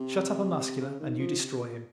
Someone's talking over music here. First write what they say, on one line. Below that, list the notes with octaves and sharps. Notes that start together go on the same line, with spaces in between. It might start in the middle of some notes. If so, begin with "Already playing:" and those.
Shut up a Muscular and you destroy him.
Already playing: C3
C#3
D#3
F3
C3
A#2